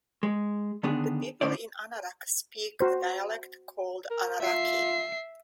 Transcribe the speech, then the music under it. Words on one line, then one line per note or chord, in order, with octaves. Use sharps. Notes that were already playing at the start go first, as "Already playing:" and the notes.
The people in Anarak speak a dialect called Anaraki.
G#3
D3 D#3 B3 D4 G#4
A2 D3 C4 C#4 C5 D5
F#4 C5
A#4
F4 E5 C7